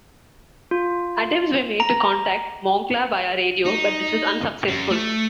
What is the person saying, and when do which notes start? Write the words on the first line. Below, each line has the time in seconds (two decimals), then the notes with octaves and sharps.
Attempts were made to contact Moncla via radio, but this was unsuccessful.
0.71 F4
1.80 A#5
3.66 D#4
4.68 F#2
4.90 A3